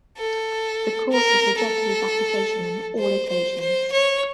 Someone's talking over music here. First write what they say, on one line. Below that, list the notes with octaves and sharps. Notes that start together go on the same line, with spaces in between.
The court has rejected his application on all occasions.
A4
A#4
A4
C5
C5
C5
C#5